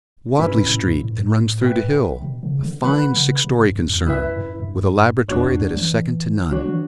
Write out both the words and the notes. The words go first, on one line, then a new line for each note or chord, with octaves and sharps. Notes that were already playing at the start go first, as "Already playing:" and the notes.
"Wadley street and runs through to Hill--a fine six-story concern, with a laboratory that is second to none."
G2 C#4 E4 B4
A2
A2
G2
A2
B4 E5 G5
B2
C#3
D3
D3 B4 F#5 B5
C#3
B2
G2
F#2
E2
F#2 E4 B4 E5
F#2
F#2
G2
E2 D4 F#4 C#5
E2
F#2
E3
D3 D4 F#4 C#5
E3